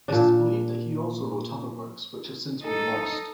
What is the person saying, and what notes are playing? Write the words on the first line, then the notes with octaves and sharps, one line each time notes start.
It is believed that he also wrote other works which have since been lost.
A#2 D4
D#4 A4